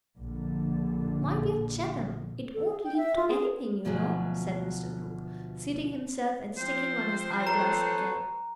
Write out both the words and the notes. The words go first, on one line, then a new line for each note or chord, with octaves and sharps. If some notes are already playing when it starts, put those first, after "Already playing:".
"My dear Chettam, it won't lead to anything, you know," said Mr. Brooke, seating himself and sticking on his eye-glass again.
A#1 A#2 D3
A4
G#4
G5
E5
F4
G#4
D2 B2 F3 F#3 F#4 G#4
F3 C4 C5
A4 B4 C#5 A#5